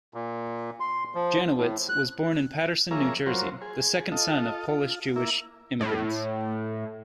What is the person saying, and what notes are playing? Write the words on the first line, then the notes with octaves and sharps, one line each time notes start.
Janowitz was born in Paterson, New Jersey, the second son of Polish-Jewish immigrants.
A#2
C6
F3
A2
F#6
F3 A#3 G#4 C#5 E5 A#5
F#3 F4 A#4 C5 C#5
G#4
F4 A4 D#5
F4
A#3 E4
A2